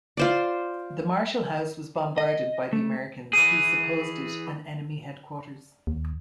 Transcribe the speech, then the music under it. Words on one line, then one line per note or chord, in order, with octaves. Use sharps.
The Marshall House was bombarded by the Americans who supposed it an enemy headquarters.
F4 C5 D5
D#5
A3
E3 G#4
D#2